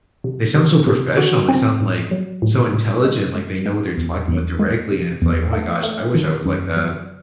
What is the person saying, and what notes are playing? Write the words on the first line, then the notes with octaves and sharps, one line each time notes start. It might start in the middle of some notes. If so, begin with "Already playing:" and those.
"They sound so professional. They sound, like, so intelligent. Like, they know what they're talking about directly," and it's, "Oh my gosh. I wish I was like that."
C3
C3
C3
F#4
C4
A2
F#3
A2
A2
G#3
G#3
G#3
E2
E2
G#3
C3
E2
A3
A3
D#3
F#2
F#3